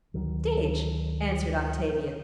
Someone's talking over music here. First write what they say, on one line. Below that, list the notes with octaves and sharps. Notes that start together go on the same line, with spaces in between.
"Stage," answered Octavia.
D2 D#3 F#3